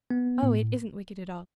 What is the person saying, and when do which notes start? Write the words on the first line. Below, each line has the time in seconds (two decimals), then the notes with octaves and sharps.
Oh, it isn't wicked at all.
0.11 B3
0.43 A2